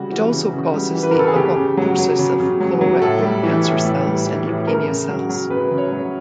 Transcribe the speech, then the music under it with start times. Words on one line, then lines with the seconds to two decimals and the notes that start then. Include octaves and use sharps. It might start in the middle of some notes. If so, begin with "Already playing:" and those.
It also causes the apoptosis of colorectal cancer cells and leukemia cells.
Already playing: C#3 G3 F#4
0.12 E3
0.32 C#3
0.53 C#3
0.74 G3
0.94 E3
1.03 B4
1.11 A#4
1.15 C#3 A4
1.28 G#4
1.36 C#3 G4
1.57 C#3
1.77 F#3
1.98 F#3
2.19 C#3
2.40 C#3
2.60 F#3
2.81 F#3
3.01 A2 A4
3.22 G3
3.43 E3
3.64 A2
3.85 A2
4.06 G3
4.26 E3
4.47 A2
4.67 C#3 A#4
4.88 C#3
5.09 F#3
5.29 F#3
5.50 C#3 B4
5.71 C#3
5.78 C#5
5.92 F#3